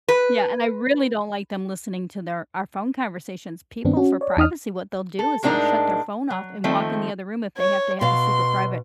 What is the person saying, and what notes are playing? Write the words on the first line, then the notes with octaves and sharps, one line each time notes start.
Yeah, and I really don't like them listening to their our phone conversations. People for privacy, what they'll do is they'll shut their phone off and walk in the other room if they have to have a super private,
B4
G2 D#3 B3 C4 D4
C#4 F#4
C#5 D5
E2 D#4 D#6 F6
A4
A2 G#3 C4 D4 D#4 A#4
F#3
D#3 F3 A3 C4
C#5
B2 F5 C6